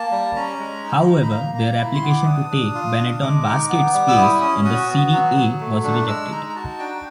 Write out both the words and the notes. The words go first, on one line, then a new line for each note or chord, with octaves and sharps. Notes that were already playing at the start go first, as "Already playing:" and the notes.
However their application to take Benetton Basket's place in the Serie A was rejected.
Already playing: A#3 A5
G3
C#4 A#5
G#3
D#4
D#4
B5
A#3 A#5
A#3 A#5
E4 B5
C6
B3
D6
D4 D#6
D4
F4
D4
G#3 D6
D#4
B3
G3
E6
E4 D#6
C#4 D#6
F#4 D#6
B3
F#3
F#3
A3
D4
G#3 E6
D#4 A#5
A#5
F#4 A5
D4 G5